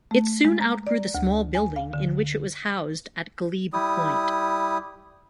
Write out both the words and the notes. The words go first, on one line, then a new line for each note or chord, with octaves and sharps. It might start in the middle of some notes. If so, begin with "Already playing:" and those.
It soon out-grew the small building in which it was housed at Glebe Point.
A3
G#3
A#5
D5
D2
G#5
F5
D3
G3 E4 D#6